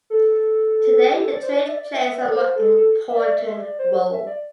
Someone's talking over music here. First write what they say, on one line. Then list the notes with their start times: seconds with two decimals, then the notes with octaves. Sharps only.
Today the trade plays a more important role.
0.10 A4
1.13 G4
1.22 A4
1.32 D5
1.43 C5
1.52 D5
1.69 E5
1.74 D5
1.84 D5
1.94 E5
2.08 E5
2.22 D5
2.28 A4
2.36 C5
2.56 A4
2.77 A4
3.09 E5
3.17 D5
3.38 E5
3.59 D5
3.79 C5
4.13 E5
4.27 D5